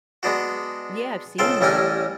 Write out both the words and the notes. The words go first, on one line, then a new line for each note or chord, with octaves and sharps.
Yeah, I've seen that.
G#3 B3 D4 F#4
C#2 C#3 A4 C5 G5
A1 G3 A3 C#4 A#4 G#5